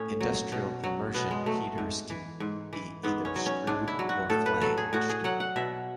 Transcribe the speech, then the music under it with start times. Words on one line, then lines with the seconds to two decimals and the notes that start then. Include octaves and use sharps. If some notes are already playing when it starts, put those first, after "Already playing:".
Industrial immersion heaters can be either screwed or flanged.
Already playing: A2 C#4
0.20 F#3
0.52 B2
0.84 F#3
1.14 B2 B3
1.31 G#3
1.46 F#3 A3
1.78 G#2
2.10 E3
2.40 G#2
2.73 E3
3.03 G#2 B3
3.25 C#4
3.36 F#3
3.46 C#4
3.67 G#2 D4
3.88 E4
3.99 F#3
4.09 F#4
4.30 A2 A4
4.46 B4
4.61 F#3 A4
4.78 G#4
4.93 A2 F#4
5.09 G#4
5.24 F#3 F#5
5.40 F#5
5.56 B2 E5